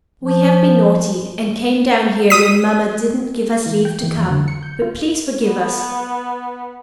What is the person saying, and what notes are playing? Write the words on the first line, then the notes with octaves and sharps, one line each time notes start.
We have been naughty, and came down here when mamma didn't give us leave to come; but please forgive us.
F3
D#6 B6
E3
G5
E3
F2
D3
C#7
G6
F4
B3